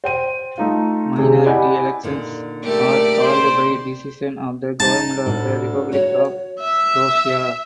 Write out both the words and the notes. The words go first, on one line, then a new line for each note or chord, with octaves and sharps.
Minority elections are called by decision of the Government of the Republic of Croatia.
C5 G5 D#7
A3 D#4 F4
C3 G#4
E4 G4 D5 D#5 F#5 G#5
A#2 D3 D#3
A3 G4 A#4 D5
C5
D#4 D#5 A5
D2 A2
F#4 C#5
E5